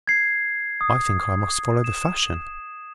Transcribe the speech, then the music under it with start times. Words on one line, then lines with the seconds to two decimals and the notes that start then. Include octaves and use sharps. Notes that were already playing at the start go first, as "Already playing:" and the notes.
I think I must follow the fashion.
0.07 G#6 C7
0.81 D#6
1.84 E7